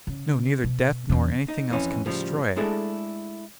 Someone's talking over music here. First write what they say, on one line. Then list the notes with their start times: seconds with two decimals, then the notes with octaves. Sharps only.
No, neither death nor anything else can destroy it.
0.07 C#3
0.64 B2
1.09 E2 C#3
1.48 D#4
1.70 F2 E3 C#4
2.06 A2 C#3 F3 G3
2.56 G#3 A3 D4 E4 G#4 A4